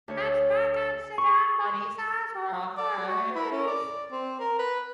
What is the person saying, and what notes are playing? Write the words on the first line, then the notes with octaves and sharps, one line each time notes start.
Hatchback and sedan body styles were offered.
D2 C#5
C#6
D5
F#4
E4
C#4
D5
C4
A#4
B4